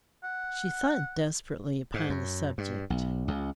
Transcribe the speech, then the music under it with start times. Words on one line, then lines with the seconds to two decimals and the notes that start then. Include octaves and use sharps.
She thought desperately upon the subject.
0.24 F#5
1.94 G#2
2.10 F#2
2.58 G2
2.90 B1
3.28 C#2